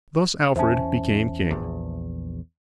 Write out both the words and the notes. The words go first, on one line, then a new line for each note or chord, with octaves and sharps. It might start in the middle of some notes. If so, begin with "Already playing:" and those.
Thus Alfred became king.
E2 C#4 C5 E5 A5
A#1 E2